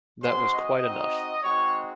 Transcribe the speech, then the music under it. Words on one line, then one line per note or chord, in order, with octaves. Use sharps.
That was quite enough.
G#3 C#4 F#4 C5 C6
D#5 D#6
C4 D#4 F#4
G#3 C4 D#4 F#4 C#5 C#6